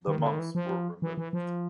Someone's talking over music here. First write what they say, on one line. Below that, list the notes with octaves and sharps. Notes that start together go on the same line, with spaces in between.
The monks were removed.
D#3
D#3
D3
D#3
E3
F3
E3
E3
F3